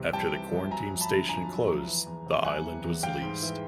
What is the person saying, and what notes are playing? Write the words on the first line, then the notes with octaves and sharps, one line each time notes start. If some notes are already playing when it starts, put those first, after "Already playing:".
After the quarantine station closed the island was leased.
Already playing: C2 C3 E3
G3 G5 A5
E3
C2
F#3 G#5 A#5
F2
A5 B5
D3
F2 G#5 A#5
F#3
F2
E3
E2
C3
G3 F#5 G#5
E3
E2
G3 F5 G5
G#2
E3